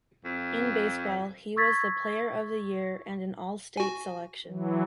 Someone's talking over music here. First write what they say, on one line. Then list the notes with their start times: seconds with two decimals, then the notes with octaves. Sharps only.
In baseball, he was the Player of the Year and an All-State selection.
0.25 F2
1.56 C#6 E6 G#6 A6 B6
3.77 F#4 G#5
4.46 E3 F#3